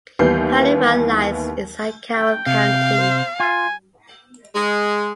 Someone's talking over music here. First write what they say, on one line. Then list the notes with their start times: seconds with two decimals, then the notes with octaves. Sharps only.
Piney Run lies inside Carroll County.
0.19 D#2 E3 G3 B3 G6 C7
2.14 G5
2.46 C3 F5
2.98 C5
3.40 F4 G#5
4.55 G#3